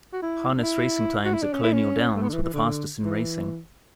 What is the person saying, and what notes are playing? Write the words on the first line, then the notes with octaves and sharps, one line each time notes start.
Harness racing times at Colonial Downs were the fastest in racing.
F#4
E4
D4
E4
F#4
E4
D4
C#4
E4
C#4
A3
B3
D3
E3
E3
D3
E3